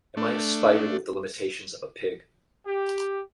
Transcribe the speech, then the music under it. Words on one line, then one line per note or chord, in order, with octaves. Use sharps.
Am I a spider with the limitations of a pig?
A3 D4
G4